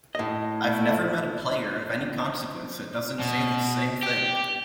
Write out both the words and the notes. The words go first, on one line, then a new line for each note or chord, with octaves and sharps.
I've never met a player of any consequence that doesn't say the same thing.
A2 D#5
A3 E4
B2
G4